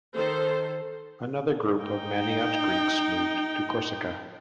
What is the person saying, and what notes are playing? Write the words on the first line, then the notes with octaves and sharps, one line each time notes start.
Another group of Maniot Greeks moved to Corsica.
D#3 A4 C5
D#4 G5